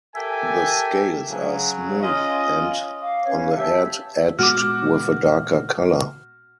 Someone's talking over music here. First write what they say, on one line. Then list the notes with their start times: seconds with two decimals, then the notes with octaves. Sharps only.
The scales are smooth and, on the head, edged with a darker colour.
0.15 G4 A4 A#4 E5 G#5
1.30 C#3 F#3
2.01 C#4 F4 D#5
3.01 F5 D6
3.25 C#4 B4 C#5 F5
3.55 G4 E5 A5 E6
4.39 A#2 G#3 B3 F#4 D6 F6